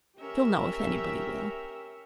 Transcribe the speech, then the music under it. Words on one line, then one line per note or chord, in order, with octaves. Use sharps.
She'll know if anybody will.
C#4 G4 A#4 E5